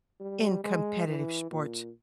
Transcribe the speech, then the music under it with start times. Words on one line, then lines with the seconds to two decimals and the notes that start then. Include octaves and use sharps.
in competitive sports
0.20 G3
0.64 G#3
1.07 E3
1.51 A#2